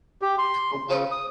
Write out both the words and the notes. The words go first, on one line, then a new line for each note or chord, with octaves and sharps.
But what
G4
C6
C#3
D#6